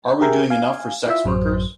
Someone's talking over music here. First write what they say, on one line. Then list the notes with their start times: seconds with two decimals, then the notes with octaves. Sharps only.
Are we doing enough for sex workers?
0.21 G4 G#4 A#4 E5 G5 G#5
0.50 F5 G#5
1.06 E4 F4 E5
1.24 A1 F#2 F#3 C5